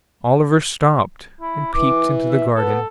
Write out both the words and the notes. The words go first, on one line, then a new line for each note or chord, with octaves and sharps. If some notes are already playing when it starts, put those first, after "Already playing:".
Oliver stopped, and peeped into the garden.
E4
E3 D6
E5
B3 A4